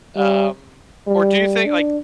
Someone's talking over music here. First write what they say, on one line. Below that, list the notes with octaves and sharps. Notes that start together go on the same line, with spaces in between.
Um, or do you think like,
G3
G3
D4